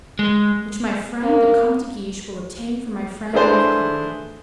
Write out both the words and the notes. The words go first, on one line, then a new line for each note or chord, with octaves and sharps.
"Which my friend the Comte de Guiche will obtain for my friend Malicorne."
G#3
A#3
A3 D4 E4 G#4 B4 C5